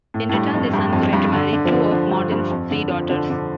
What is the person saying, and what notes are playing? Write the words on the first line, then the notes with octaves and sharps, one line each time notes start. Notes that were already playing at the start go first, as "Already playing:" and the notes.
In return their sons were to marry two of Morton's three daughters.
A2
A2
G2
F2
G2
F2
G2
D3
D3
F3
D3
D3
G2
G2
F2
D3
F3
D3
D3